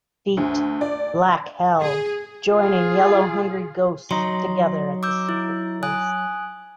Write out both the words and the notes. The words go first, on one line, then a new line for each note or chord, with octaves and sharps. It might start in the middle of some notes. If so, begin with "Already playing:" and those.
Feet: black-hell, joining yellow-hungry-ghosts together at the secret place.
D2
D5
G#4
F4 G#4
F#3 D#4 C6
D6 E6 G6
E4
G#5 D#6 F#6